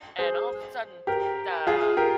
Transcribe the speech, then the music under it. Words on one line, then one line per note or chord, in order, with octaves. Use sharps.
And all of a sudden, the
G#4 C5
G4 A#4
F4 G#4
G4 A#4